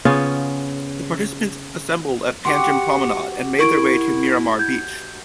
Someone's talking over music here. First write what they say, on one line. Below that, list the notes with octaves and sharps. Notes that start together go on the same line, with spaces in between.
The participants assembled at Panjim Promenade and made their way to Miramar Beach.
C#3 B3 C#4 F4
F#4 G4 F#5 C6 D6
E4 A#4 C#6 D7
G6 G#6